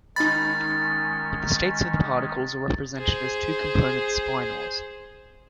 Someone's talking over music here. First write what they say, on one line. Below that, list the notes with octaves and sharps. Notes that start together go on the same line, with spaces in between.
The states of the particles are represented as two-component spinors.
D#3 G#3 C#4 D#4 B5 A6
G#4 C5